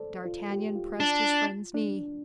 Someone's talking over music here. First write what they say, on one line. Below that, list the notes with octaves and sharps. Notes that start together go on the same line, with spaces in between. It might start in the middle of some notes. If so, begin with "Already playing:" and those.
D'Artagnan pressed his friend's knee.
Already playing: A4 C5 D5
F4
G4
F4
D4
D4